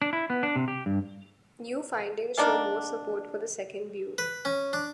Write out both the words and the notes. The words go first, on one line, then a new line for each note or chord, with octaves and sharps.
New findings show more support for the second view.
D4
E4
B3
D4
C3
G4
G2
D#3 G3 A#3 D4
B4
C#4
D4